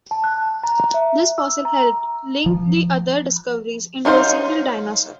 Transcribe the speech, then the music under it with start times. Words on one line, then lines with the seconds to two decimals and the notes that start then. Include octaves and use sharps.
This fossil helped link the other discoveries into a single dinosaur.
0.11 A5
0.24 F#6
0.64 A#5
0.94 E5
1.38 E6
1.65 A#5
2.46 F3
4.05 F#3 D#4 F4 C5 F5